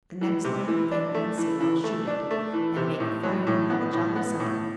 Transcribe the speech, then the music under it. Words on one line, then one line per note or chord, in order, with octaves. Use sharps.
The next live thing I see I'll shoot it, and make a fire and have a jolly supper.
E3
C3
E3
D4
A3
E3
E3
A3
D4
A3
E3
C3
A2
F#3
A2
B3
A2
B3
A2